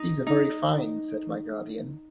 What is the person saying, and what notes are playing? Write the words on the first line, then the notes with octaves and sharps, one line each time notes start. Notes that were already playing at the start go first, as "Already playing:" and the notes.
"These are very fine," said my guardian.
Already playing: D#4
D#4